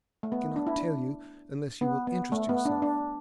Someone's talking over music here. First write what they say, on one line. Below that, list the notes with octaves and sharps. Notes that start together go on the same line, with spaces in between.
I cannot tell you unless you will interest yourself.
A3
B3
D4
E4
D4
B3
B3
A3
B3
D4
D4